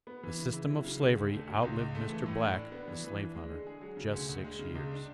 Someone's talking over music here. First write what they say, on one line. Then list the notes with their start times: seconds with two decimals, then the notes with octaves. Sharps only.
The system of slavery outlived Mr. Black, the slave hunter, just six years.
0.07 B3
0.23 E3
0.39 C#3
0.54 E4
0.70 F#3
0.85 C#3
1.01 D2
1.17 D2
1.33 A3
1.48 B2
1.63 C#2
1.79 C#2
1.95 A3
2.10 E3
2.26 A2
2.41 D4
2.57 D4
2.72 B3
2.88 E3
3.04 E3
3.19 D4
3.35 G#3
3.50 D3
3.67 G#4
3.81 F#3
3.97 C#3
4.14 D2
4.29 D2
4.44 G#3
4.59 C#3
4.75 C#2
4.92 D4